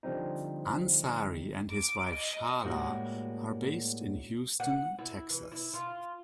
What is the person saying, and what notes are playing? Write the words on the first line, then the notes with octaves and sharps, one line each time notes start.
Ansary and his wife Shahla are based in Houston, Texas.
D3 F3 G3 C4 D#4
D6
D#5
A2 G3 G#3 A#3 F#4
F#5
E4
E3
E4
F4